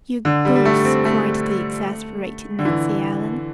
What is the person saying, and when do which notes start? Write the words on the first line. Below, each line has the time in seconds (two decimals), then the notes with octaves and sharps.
"You Goose!" cried the exasperated Nancy Ellen.
0.25 D3
0.45 G3
0.56 G3
0.65 A3
0.85 C4
1.05 A3
2.59 D3
2.65 E3